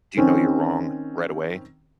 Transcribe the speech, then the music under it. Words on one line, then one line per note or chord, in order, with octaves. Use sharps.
do you know you're wrong right away?
D#3 C4 C#4